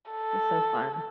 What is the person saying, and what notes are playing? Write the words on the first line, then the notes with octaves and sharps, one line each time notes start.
was so fun.
A4